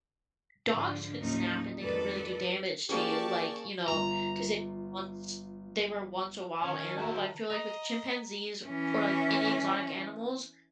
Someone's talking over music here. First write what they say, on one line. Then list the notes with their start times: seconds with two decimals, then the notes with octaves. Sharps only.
dogs could snap and they could really do damage to you, like, you know, 'cause they once they were once a wild animal, but I feel like with chimpanzees or, like, any exotic animals,
0.70 G#2 D3 F3 D4
1.20 D#2 A2 F3 F#3 C#4 D#4
1.81 F2 D#3 G#3 A4 B4 D5
2.89 A#3 C#4 G4 G#4 C5 D5 A5 C#6
3.88 G1 F4 A#5
6.62 D#3 C#4 C#5
6.97 F#4 E5 A5 A#5
7.50 D#5 A#5
8.67 E3 C#4